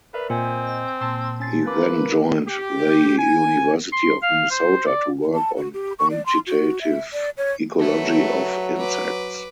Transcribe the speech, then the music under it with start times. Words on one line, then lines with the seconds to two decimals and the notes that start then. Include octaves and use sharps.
He then joined the University of Minnesota to work on quantitative ecology of insects.
0.14 A#4 B4 D5 E5
0.30 A#2 C4 C5 D#5 G#5
1.01 A#2 A5 C6 E6
1.40 C#4 A6 C7
1.66 A#3 A#4 B4 D6
2.47 G4
3.17 G#5
3.92 C6
4.23 F5
4.51 C5
4.87 D5
5.34 A5
5.56 F#4
5.73 G4
5.99 C#6
6.10 D5
6.26 C6
6.47 F#4
6.81 E5
7.13 D5
7.37 C#5
7.79 F#3 A3 B4
8.77 B4 D6